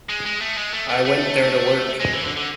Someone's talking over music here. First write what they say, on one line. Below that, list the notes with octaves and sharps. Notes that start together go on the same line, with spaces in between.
I went there to work.
G#3
G#3
A3
G#3
A3
A3
A3
G#3
E3
D3
D3